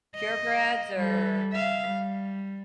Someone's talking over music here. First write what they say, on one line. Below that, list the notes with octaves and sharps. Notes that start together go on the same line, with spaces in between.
purebreds or
D#5
G3 A4
E5 F5
G3